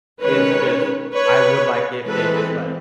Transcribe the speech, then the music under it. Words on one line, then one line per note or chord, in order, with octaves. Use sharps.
is just, I would like if they just, like
D#3 G#3 C#4 B4 C#5
B4 C#5
E3 G#3 C4 A4 B4